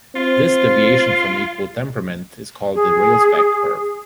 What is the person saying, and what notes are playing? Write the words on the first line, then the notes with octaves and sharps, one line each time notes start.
This deviation from equal temperament is called the Railsback curve.
C4 F4
G#4